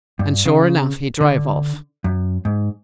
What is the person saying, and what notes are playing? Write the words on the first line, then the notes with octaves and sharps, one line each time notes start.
And sure enough, he drove off.
G2
C#3
D3
F#2
G#2